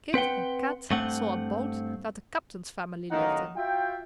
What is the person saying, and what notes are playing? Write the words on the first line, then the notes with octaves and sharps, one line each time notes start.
Kit and Kat saw a boat that the Captain's family lived in.
C4 B4 F#5 G5
G2 A3 C4 F#5
F#2 A2 D#3 A#3 D#4 F#5
F4 F#4 E5 G5